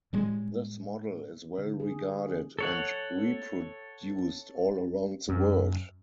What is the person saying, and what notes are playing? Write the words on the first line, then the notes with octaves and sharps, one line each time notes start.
This model is well regarded and reproduced all around the world.
A2 G3 G#3
D3
G#4
A4 C#5 F#5
F#2